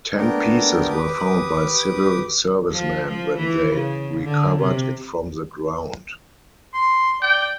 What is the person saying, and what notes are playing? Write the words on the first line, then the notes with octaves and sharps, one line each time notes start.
Ten pieces were found by civil servicemen when they recovered it from the ground.
A3 B3 D4 A#4 G5
G4 B4 D6 D#6
F3
F3
E3
C#3
D3
C3
C6
D5 G5